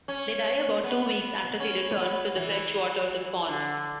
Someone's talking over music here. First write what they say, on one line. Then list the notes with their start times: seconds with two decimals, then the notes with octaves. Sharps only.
They die about two weeks after they return to the freshwater to spawn.
0.08 C#4
0.84 B3
1.60 C#4
1.97 B3
2.10 B3
2.35 E3
3.48 D3